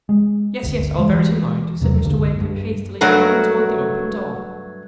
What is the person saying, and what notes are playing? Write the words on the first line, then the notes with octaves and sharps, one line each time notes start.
"Yes, yes, I'll bear it in mind," said Mr. Wakem, hastily, looking toward the open door.
G#3
G1 D2
D#2 E3 G#3
E2 C3 E3 F#3
B1 G2 D3 A#3
G2
G2 F#3 A3 F#4 A#4